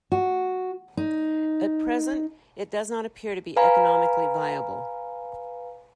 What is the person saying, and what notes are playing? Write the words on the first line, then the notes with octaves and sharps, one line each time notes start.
At present, it does not appear to be economically viable.
F#4
D#4
B4 F5 G#5 A#5 B5